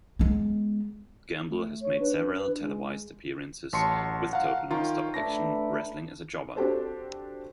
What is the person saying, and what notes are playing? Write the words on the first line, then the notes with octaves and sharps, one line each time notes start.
Gamble has made several televised appearances with Total Nonstop Action Wrestling as a jobber.
G#3 B3
A3
C#5
D4 B4
B4
G#3
A1 F#3 A5 C6 C#6 C#7
F5 F#5 A#5
D#3 F4 C#5 G5 A#5
A3 D4 B4 A#6
C4 D4 F#4 G4 A4 C5